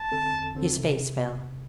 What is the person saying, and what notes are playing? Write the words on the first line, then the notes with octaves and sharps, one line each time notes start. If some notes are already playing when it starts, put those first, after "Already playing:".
His face fell.
Already playing: A5
D3 C4 A4
E2
D3 C4 A4
C3